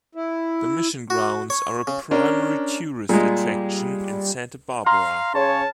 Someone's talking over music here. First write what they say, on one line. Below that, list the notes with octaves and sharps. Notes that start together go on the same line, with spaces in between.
The Mission grounds are a primary tourist attraction in Santa Barbara.
E4
F#4
C#5
C#3
C#4 D4 A#4
A#2 G3 G#3 G#4
F5 A#5 C6 F6
C#3 G#4 C#5 A5